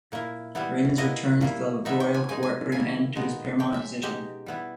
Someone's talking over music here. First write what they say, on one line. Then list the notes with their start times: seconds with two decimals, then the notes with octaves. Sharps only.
Raymond's return to the royal court put an end to his paramount position.
0.12 A#2 A#3 E4
0.55 G3 B3 E4
0.98 B2 A#3 E4 D#5
1.41 G3 A#3 E4
1.85 B2 G3 B3 D#4 E5
2.00 G5
2.14 G#5
2.29 C#3 G#3 D#4 G#5
2.43 G#5
2.72 D#3 A#3 E4 G#5
3.15 A#2 G#3 B3 D#4
3.59 C#3 G#3 C#4 G5
3.74 E5
4.02 B2 G#3 D#4 G4
4.46 G3 B3 E4